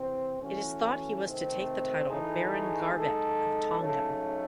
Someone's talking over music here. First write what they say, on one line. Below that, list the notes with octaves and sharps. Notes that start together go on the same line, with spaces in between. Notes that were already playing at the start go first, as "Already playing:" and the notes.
It is thought he was to take the title Baron Garbett of Tongham.
Already playing: C3 E3 C4
E3 A3 C#4 F#4
C3 D#3 A3 C4
E3 A3 D#4 G#4
G#3 D#4 A4
C#3 F#3 A3 D#4 A4